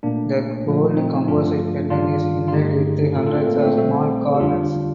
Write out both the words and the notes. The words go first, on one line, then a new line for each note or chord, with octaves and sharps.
The gold composite pendant is inlaid with hundreds of small garnets.
A#2 A3 A#3 D4
A#2 F3 A3
C4 D#4
G2 F3 A3 D4 F4
G2 D#3 G3 D4 F4
F4
G2 D3 A3 D#4 G4
A2 A3 F4 A4
F4 A4
A3 C4
A#3
A3 C4
A#2 G3 A3 C4
G4
F2 D3 G3 D4 F4